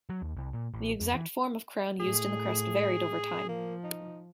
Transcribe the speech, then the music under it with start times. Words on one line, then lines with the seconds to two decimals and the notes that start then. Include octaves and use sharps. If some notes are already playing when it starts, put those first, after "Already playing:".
The exact form of crown used in the crest varied over time.
0.09 F#3
0.22 D#2
0.37 C2
0.53 A#2
0.74 A1
1.01 F2
1.14 E3
2.00 A2 G#4
3.49 F3 A#3
3.84 D#4